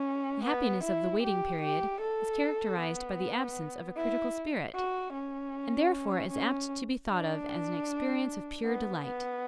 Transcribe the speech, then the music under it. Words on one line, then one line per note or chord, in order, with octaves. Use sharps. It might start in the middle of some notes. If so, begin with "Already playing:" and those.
The happiness of the waiting period is characterized by the absence of a critical spirit, and therefore is apt to be thought of as an experience of pure delight.
Already playing: C#4
B3
E4
G4
G4
A4
B3
E4
F#4
C#4
C#4
D4
B3
B3